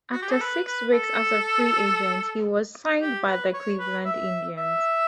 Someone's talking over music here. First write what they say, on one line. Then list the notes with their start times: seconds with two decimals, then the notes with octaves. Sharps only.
After six weeks as a free agent, he was signed by the Cleveland Indians.
0.12 F#4
0.22 G4
0.32 A4
0.42 B4
0.67 B4
0.93 A4
3.02 G4
3.27 B4
3.54 C#5
3.79 B4
4.05 E5
4.57 E5